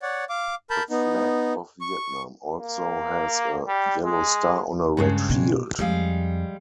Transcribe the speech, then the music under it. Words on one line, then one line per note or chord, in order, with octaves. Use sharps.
The flag of Vietnam also has a yellow star on a red field.
C#5 D5 F#5
F5 D6
A#4 A5 B5 G6
B3 D#4
C#6
A#3
G3
G#3
G2 C#3 G#3
B2
F2 G3 G#3 F5